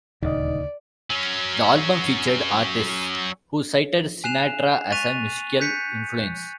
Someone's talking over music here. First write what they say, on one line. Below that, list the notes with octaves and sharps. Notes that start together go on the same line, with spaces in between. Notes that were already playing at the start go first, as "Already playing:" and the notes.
The album featured artists who cited Sinatra as a musical influence.
D#1 D2 C#3 D#4 D5 D#5
F#3 C#4
G#5 F#6 C7 E7 F7
C#6 F#6 A6 B6 D#7 F7
F#6 G6 B6 C#7